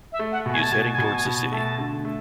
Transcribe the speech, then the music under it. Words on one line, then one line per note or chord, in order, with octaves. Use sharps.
He is heading towards the city.
E5
A3
F#5
B2
G#5
A5
B2 G#5
A5
B2 G#5
A5
G#5
B2
A3 A5
D3
A3